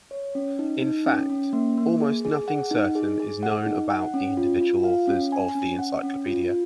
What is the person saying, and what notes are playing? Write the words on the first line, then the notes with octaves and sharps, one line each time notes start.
In fact, almost nothing certain is known about the individual authors of the encyclopedia.
C#5
C#4
D#4
D#4
C#4
C#4
A#3
A#3
G#4
G#4
F#5
D#4
G#4
G#4
F#5
D#4
F#5
C#4
F4
F4
F5
C#4
G#5
C#4
F#5
C#4
F4
F4